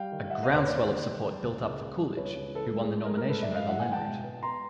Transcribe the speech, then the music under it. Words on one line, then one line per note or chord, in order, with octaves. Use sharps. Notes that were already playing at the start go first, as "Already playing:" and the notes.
A groundswell of support built up for Coolidge, who won the nomination over Lenroot.
Already playing: G3 F5 G5
D#3
D#3 E5 F#5
D#5 F5
D#2
B4 C#5
A#3 C5 D5
D#3
G3
B3
C#2
C#2
B3
G3
C#2 B4 C#5
C#2
E3 A4 B4
A4
G#2
G#4
A3
G#4 A#4
G#2
G#4 A#4
A3 A4 B4
D5 E5
G#2
D#5 F5
E3 E5 F#5
F#5 G#5
G#2
G5 A5
B2
B3
B3 A#5 C6